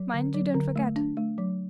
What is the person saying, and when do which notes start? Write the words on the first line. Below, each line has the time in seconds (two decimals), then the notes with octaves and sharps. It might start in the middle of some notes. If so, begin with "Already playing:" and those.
'Mind you don't forget.
Already playing: F#3
0.14 D3
0.34 F#3
0.54 D3
0.76 A3
0.96 D4
1.17 A3
1.38 F#3